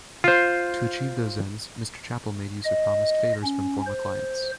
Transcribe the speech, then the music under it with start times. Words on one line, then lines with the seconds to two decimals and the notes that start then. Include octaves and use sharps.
To achieve those ends, Mr. Chapel made use of promised favors from former clients.
0.24 F4 C5
2.64 D#5
3.44 C#4
3.86 C5